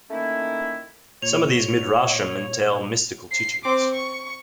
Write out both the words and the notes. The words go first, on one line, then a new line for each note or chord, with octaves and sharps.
Some of these midrashim entail mystical teachings.
D#3 A3 A#3 C#4 D#4 E4
A#2 C#5 F7
C7
C4 D6
C#6